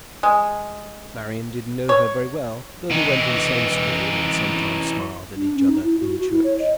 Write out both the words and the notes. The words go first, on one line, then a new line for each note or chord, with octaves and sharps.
Marian didn't know her very well, though they went to the same school and sometimes smiled at each other in church.
G#3
C#5
E3 D#4
D4
C#4
D#4
E4
F#4
F#4
E4
C#5
D#5